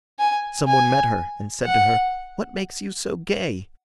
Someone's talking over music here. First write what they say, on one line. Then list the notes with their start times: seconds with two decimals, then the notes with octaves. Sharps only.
Some one met her and said to her, "What makes you so gay?"
0.19 G#5
0.67 G#5
1.64 F#5